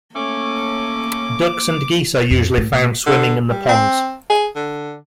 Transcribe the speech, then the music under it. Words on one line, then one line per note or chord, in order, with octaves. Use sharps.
Ducks and geese are usually found swimming in the ponds.
A3 A#3 C#4 D6
F2
A2
A#2
D3
G3
C4
G#4
D3